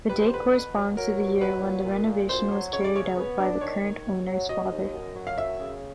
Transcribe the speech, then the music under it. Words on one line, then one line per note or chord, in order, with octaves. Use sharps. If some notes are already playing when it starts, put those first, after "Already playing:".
The date corresponds to the year when the renovation was carried out by the current owner’s father.
G3 B4
C5
D3 B4
B2 B4
F#3
F#3 A#4
B2
F#3 B4
A#2
A#2
A#2
D2 C5
F#3
C#3 C#5
D5
C#3 C#5
B3
D4
D#3 C#5
D#3
D#2
F#3
F#3 D#5
D#2
F#2
F#3
F5
F#2 E5
C#3